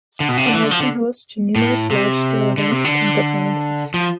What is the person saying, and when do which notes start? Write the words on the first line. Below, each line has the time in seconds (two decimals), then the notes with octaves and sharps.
It has been host to numerous large scale events and performances.
0.20 D3
0.29 B2
0.37 C3
0.46 D3
0.54 E3
0.63 D3
0.71 F3
0.80 D3
1.56 A2
1.91 C3
2.58 D3
2.71 C3
2.85 D3
3.94 F3